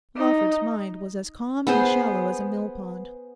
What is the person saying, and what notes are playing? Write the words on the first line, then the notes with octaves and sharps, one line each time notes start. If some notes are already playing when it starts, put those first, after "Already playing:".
Lawford's mind was as calm and shallow as a millpond.
D#4
B3 G#4 C5